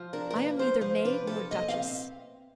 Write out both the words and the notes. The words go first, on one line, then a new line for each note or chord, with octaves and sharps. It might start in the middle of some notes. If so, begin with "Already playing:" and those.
I am neither maid nor duchess.
Already playing: F3
D4 A#4
A#4
A#3 B4
F3 C5
F3 C5
D4 B4
F3 A4
A#2 D#5
F5
C4 E5